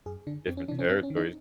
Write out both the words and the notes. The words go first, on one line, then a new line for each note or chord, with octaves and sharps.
different territories.
F#2 G#4
D3 D4
F2 C4
C#4
C3 E3 D4
C#4
G2 C4
C#4
D#3
D#4